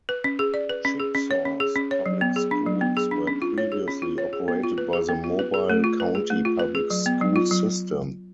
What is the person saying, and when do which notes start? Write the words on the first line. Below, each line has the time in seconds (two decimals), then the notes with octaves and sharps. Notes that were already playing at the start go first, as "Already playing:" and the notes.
Chicksaw's public schools were previously operated by the Mobile County Public School System.
0.09 B4
0.24 C#4
0.39 G#4
0.54 D5
0.69 B4
0.85 C#4
1.00 G#4
1.15 C#4
1.31 C#5
1.45 C#4
1.60 G#4
1.76 C#4
1.91 C#5
2.06 F#3
2.21 B3
2.36 G#4
2.51 D4
2.66 F#3
2.81 B3
2.97 G#4
3.11 D4
3.27 C#4
3.42 F4
3.58 C#5
3.72 G#4
3.88 C#4
4.02 F4
4.18 C#5
4.33 G#4
4.48 B3
4.63 F4
4.78 B4
4.93 G#4
5.09 B3
5.24 F4
5.39 B4
5.54 G#4
5.70 A3
5.84 F4
6.00 B4
6.15 G#4
6.30 A3
6.45 F4
6.59 B4
6.75 G#4
6.90 F#3
7.06 B3
7.21 F#3
7.36 F4
7.51 F#3